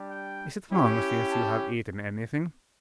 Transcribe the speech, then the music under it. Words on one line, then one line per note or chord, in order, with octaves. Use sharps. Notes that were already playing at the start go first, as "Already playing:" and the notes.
"Is it long since you have eaten anything?"
Already playing: G3 D4 G4
G5
C#4 E4 G4
A5